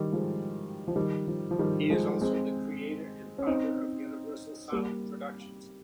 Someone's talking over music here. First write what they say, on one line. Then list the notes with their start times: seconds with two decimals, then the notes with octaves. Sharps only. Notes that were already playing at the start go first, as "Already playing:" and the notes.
He is also the creator and founder of Universal Sound Productions.
Already playing: D#3 G3
0.12 F3 G#3
0.88 F3
0.96 D#3 G3
1.27 F3
1.51 F3
1.59 D#3 G3
1.90 F3 G#3
2.21 G#3 C4
3.38 C#4
3.47 C4 D#4
4.72 G3 A#3